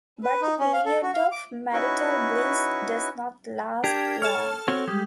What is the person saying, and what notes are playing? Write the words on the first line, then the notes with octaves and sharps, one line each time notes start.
But the period of marital bliss does not last long.
B4
D#4
C#4
F5
A4
F#4
F5
D6
C#4 D#4 E4 F#4 B4 C#6
D4 G4 A#4 G5 G#6
A4 C#5 A5 F6
C4 F#4 C#5
G3 G#3 G4